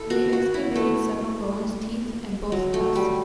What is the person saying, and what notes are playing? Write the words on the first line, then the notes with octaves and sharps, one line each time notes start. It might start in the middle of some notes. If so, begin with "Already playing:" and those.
They excavated several bones, teeth and both tusk.
Already playing: E4 A4
F#4
F#4
E4
A3
F#3
A3
G3